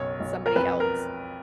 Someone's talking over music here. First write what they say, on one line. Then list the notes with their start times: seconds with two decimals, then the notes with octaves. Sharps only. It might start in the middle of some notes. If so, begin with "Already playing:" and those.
somebody else
Already playing: F#1 B1 C#5
0.20 B1
0.46 A#4
0.56 F2 B4
0.80 A#4